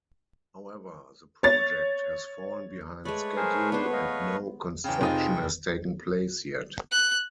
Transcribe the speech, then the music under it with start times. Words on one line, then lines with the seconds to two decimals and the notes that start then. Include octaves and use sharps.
However, the project has fallen behind schedule, and no construction has taken place yet.
1.43 C#5 A6
3.05 G#3 A3 B4 C#5 D5
3.36 G#4 A#4 C5
3.72 B3 D4 C5
3.93 D#5 F5
4.84 E2 C#3 G5
5.01 F1 C3 D#4 F4 G#4
6.91 F#6